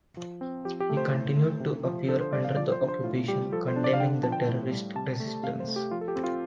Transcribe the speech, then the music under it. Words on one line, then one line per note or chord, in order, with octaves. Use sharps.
He continued to appear under the Occupation condemning the terrorist Resistance.
F3
C4
F3 G4
G4
A3
C5
A2
A3
C3
F3
D3 A4
C5
G3 D5
F5
F3 D5
C5
D4
C5
A2 F4
G3 G4
F3 A4
C5
D4
D5
F5
D3 G5
F3 A5
G5
A2
G3
C3 A5
A3
C3 F5
C5
A3
G4
F3 F4
A4
G4
C4
F4